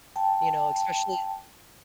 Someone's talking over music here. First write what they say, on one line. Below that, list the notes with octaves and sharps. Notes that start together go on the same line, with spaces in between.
you know, especially at
G5 A5